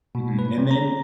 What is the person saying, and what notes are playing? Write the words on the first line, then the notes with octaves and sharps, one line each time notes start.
mhm, and then,
B2
B4
C3
A#5